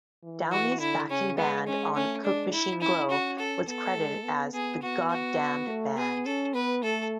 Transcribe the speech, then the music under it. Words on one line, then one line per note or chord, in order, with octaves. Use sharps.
Downie's backing band on "Coke Machine Glow" was credited as "the Goddamned Band".
E3
F#4
D3 E4
C#3 C#4
G#3 B3
C#4
A3 C#4
G#3 D4
E4
C#4 E4
C#4 F#4
A4
B3 A4
G#3
B3
B3 G#4
B3 F#4
F#4
A3
B3 G#4
C#4 A4
B3 B4
A3 A4